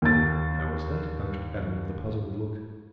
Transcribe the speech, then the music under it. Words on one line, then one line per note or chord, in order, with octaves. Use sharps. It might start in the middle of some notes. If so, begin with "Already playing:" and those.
"How is that?" asked Adam with a puzzled look.
D#2 A6